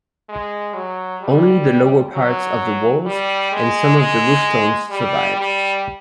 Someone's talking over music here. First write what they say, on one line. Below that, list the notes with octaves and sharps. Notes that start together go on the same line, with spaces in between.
Only the lower parts of the walls and some of the roofstones survive.
G#3
F#3
G3
F#3
G3
G#3
G#3
G3
G3